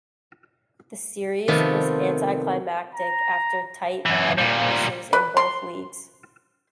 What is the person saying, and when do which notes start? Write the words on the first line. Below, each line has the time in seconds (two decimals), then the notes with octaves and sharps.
The Series was anti-climactic after tight pennant races in both leagues.
1.48 C3 D#3 F3 A3 B3
2.95 A#5
4.06 F#2 E3
4.38 A#2 G3
5.13 B4
5.37 C6